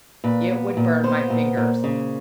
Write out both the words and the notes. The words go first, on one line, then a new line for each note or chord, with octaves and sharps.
It would burn my fingers.
A#2 B4
B3
A#2
B3 C5
A#2
A#2
C#3